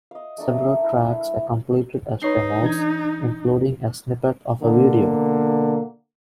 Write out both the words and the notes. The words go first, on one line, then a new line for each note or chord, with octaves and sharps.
Several tracks were completed as demos, including a snippet of a video.
D#5 F5
A3 D4 A4 A#4
E4
D#4 B4 C#5 C7
E3 D4 G#6
B2 D3 A#3